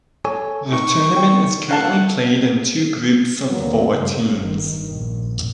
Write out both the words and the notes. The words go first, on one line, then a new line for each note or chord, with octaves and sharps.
The tournament is currently played in two groups of four teams.
A4 C#5 G#5
D#4 C#6
G5
F#4 F5 F#5 A5
A3
D#2 D3 F#3 A#3 B3
G2 C#3
G1 D#3
A#1